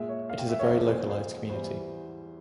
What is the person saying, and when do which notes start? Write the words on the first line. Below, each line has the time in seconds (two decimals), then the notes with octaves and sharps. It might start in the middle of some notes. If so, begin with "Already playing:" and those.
It is a very localised community.
Already playing: A#2 G#3 E5
0.09 C#5
0.29 F5
0.39 G5
0.49 E5
0.59 C#5
0.69 E2 C#3 F3 C5
0.89 C5
1.09 C5
1.49 E2 E3 G3 C5